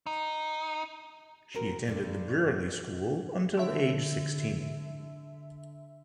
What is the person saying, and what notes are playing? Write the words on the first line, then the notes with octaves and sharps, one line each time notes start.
She attended the Brearley School until age sixteen.
D#4
C4 F#4 A#4
G2 D3
D3 E5